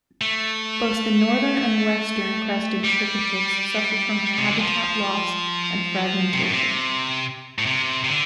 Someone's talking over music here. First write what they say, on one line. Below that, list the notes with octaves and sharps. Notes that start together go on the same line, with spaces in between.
Both the northern and western crested shriketits suffer from habitat loss and fragmentation.
A3
G3
C3
D3
F3
C3
A2
C3
A2
C3
C3
D3